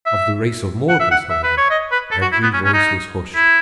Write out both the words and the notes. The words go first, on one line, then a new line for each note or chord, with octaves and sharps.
Of the race of mortals, however, every voice was hushed.
E5
F#5
E5
F#5
E5
B4
C#5
D#5
B4
A4
F#4
E4
B3
C#4
C#4
D#4
E4